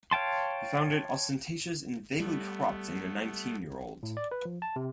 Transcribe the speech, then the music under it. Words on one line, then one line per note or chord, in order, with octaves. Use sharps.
He found it ostentatious and vaguely corrupt in a nineteen-year-old...
C#5 F5 G5 A5 C6
G3 A3 B3
A2
D5
B4
F3
A5
C3